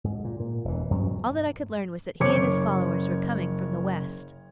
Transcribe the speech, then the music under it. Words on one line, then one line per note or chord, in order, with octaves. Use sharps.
All that I could learn was that he and his followers were coming from the West.
G#2
A#2
A#2
E1 E3
G2 F#3 G3 C#4
F#1 C5 C#5 D6 C#7